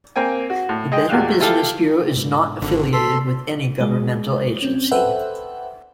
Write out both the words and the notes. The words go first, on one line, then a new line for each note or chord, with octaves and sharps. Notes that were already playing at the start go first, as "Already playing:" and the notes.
The Better Business Bureau is not affiliated with any governmental agency.
A#3 C4 G5 G#5
F#4
A2
G#3 D#5 G5
E2 A#2 F#4 G4 F5 F#6
E4 F4 G4 A4 F5
G#2 B2
G#1 D3
A4 C6 B6
G#3
C4 C#4
A4 B4 C5 E5 F#5 G5